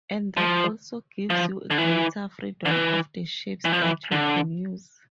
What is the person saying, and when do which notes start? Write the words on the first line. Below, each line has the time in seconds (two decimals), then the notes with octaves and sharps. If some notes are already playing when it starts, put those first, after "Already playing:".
And that also gives you greater freedom of the shapes that you can use.
0.37 F3
1.30 F3
1.70 D3
1.78 E3
2.65 D3
2.71 E3
3.65 E3
3.72 F3
3.82 E3
4.12 D3